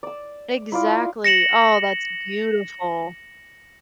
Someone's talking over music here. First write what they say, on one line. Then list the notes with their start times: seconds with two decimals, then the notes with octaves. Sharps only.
Exactly. Oh, that's beautiful.
0.03 D5 E6
0.72 E4 F4 D5
1.24 A#6 C#7 E7 F#7